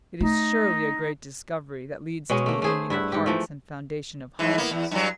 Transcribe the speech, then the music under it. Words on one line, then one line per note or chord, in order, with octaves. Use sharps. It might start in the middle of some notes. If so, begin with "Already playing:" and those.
It is surely a great discovery that leads to the union of hearts and foundation of homes.
A3 D#4
B2 G#3 C#4
A3 A#3
A3 G#4 C5
G2 E4 E5 F#5
G#2 G4
E3 F3 A3
G#2 E3
A#3 B3
E2
G2 F#3